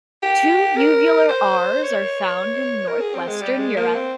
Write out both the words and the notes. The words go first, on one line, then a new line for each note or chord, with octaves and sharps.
Two uvular Rs are found in north-western Europe.
G4
A#4
C5
C#5
A#4
G#4
C4
G#3
G3
G#3
A#3
C4